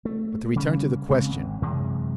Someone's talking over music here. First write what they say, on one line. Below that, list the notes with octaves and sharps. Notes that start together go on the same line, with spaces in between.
But to return to the question.
A3
C#3 G3 C#4
C#3 G#3 C4
G#1
F#2 C3 E3 G#3